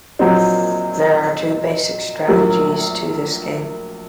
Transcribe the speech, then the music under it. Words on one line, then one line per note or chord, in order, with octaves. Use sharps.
There are two basic strategies to this game.
A#1 A#2 F#3 C4 D#4
A#1 A2 F#3 A#3